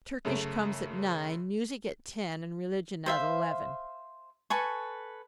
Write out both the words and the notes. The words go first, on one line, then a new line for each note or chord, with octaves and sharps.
Turkish comes at nine, music at ten and religion at eleven.
F#2 C#3 A3
C5 E5 F5
A4 B4 G#5 C#6